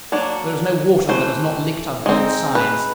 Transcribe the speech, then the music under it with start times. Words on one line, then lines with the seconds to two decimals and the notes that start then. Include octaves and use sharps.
There is no water that has not licked our boats' sides.
0.12 F#3 A#3 D4 C#5
1.09 E3 A3 C5
2.06 G#3 C4 D#4
2.55 B4